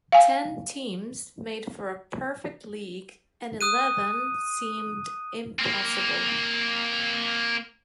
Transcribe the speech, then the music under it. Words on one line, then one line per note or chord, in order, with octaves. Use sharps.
Ten teams made for a perfect league and eleven seemed impossible.
F5 G#5
D#6 F#6 D#7
A#3 C4